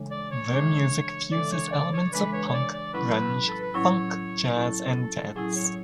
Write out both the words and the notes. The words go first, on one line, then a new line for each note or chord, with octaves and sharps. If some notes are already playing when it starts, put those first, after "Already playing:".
Their music fuses elements of punk, grunge, funk, jazz and dance.
Already playing: C#3 E3 G#3 D4 A4
D5
C#5
C#3 E3 G#3 D4 A4
C#3 E3 G#3 D4 A4 D5
C#5
D5
C#5
C#3 E3 G#3 D4 A4 B4
C#5
C#5
D5
D5
A2 F#3 C#4 E4 B4
A4
B4
A2 F#3 C#4 E4 C#5
A2 F#3 C#4 E4 A4
A2 F#3 C#4 E4 G#4
C#5